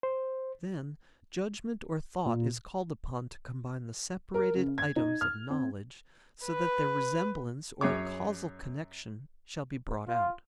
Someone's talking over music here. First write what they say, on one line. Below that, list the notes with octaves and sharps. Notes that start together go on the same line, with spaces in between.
Then judgment or thought is called upon to combine the separated items of "knowledge" so that their resemblance or causal connection shall be brought out.
C5
A#2
A#4
C#3
G#6
D#4
F6
C4
B4
F#2 G#4 C#5 D6
F4